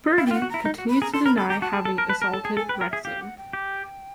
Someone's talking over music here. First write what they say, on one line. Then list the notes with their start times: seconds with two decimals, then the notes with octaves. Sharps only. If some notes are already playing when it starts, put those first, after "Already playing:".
Burdi continues to deny having assaulted Reckzin.
0.18 E4 F5
0.27 G5
0.31 F4
0.34 F#5
0.42 F#4
0.49 E4 A#5
0.65 D#4
0.78 F#4
0.89 B5
1.02 G#4 A#5
1.14 A4 C6
1.26 A#4 B5
1.38 A4 B5
1.50 G4 A#5
1.61 F#4 A5
1.73 G#4
1.85 A4
1.98 A#4
2.09 B4
2.22 A#4
2.34 A4
2.45 G#4
2.57 A4 G#5
2.69 B4
2.73 G5
2.81 A#4
2.90 G#4 E5
3.05 G4 F5
3.21 F#5
3.38 G5
3.53 G4